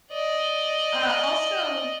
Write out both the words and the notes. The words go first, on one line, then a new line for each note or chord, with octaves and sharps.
Uh, also
D5 D#5